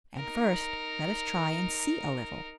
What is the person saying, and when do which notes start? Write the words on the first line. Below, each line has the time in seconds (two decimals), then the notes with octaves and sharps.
And first let us try and see a little.
0.16 D#4 A#4